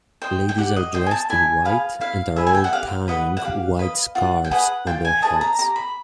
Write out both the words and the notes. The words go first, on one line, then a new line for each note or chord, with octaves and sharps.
Ladies are dressed in white and are all tying white scarves on their heads.
C5 D#5 G5
G5
G4 F#5
D#5
C5 D#5 G5
G#5
A5
E4 G#5
G#4 B4 F5
E4 F5
G#4 B4 E5
G#5
G5
F#5
G4 F5
B4 D#5 F#5
F#5
G4 F5
B4 D#5
F4 F#5
G5
G#4 B4 D#5 F#5
F4 G5
G#5
G#4 B4 D#5 A5
A#5
G4 A#5
B5